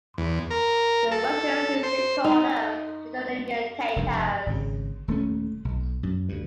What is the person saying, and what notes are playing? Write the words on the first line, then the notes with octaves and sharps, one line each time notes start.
The Russians used to call them the Chulymian Tatars.
E2
A#4
A4
C5
D#4
F1 G2
G#1 C#3
D#1 A3 C#4
B1
F#2
D2 G2